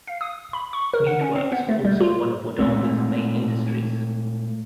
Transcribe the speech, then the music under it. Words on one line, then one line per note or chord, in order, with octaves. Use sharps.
Meatworks were also one of Wodonga's main industries.
F5
D#6
B5
C#6
A#4
F#5
C#4
C4
B3
A3
G3
F4
A#2 G#3 A3 C4